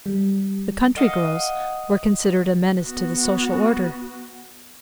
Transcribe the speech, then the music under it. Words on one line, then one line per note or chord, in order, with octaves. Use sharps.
The country girls were considered a menace to the social order.
G3
D#5 F5 F#5
B3 F#4